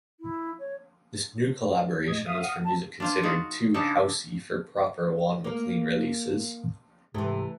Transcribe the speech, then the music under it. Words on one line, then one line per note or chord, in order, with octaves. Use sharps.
This new collaboration was for music considered "too 'housey' for proper Juan Maclean releases".
E4
C#5
A2 D#5 G#6
E5 F5 D#6
F#5
A5
D4 F4 C5
D#4 F4 F#4
C#3 D4 D#4 A4
A#3 A#4
G#2 C3 E3 A3